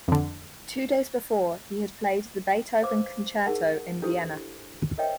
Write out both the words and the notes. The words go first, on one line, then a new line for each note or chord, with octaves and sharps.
Two days before, he had played the Beethoven Concerto in Vienna.
F2 D3
B4 C5 F5 D6
D#4 G#4 A#4 F#5 A5
D4 E4 G4 A4 B4 C5
A#4 C5 C#5 D#5 E5 G5